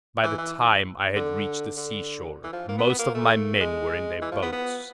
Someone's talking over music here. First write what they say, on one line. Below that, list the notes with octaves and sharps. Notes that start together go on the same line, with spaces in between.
By the time I had reached the seashore, most of my men were in their boats.
E3
E3
D3
D3
E3
F3
A#3
B3
B3
A#3
A3
G#3
E3
F3
B3
B3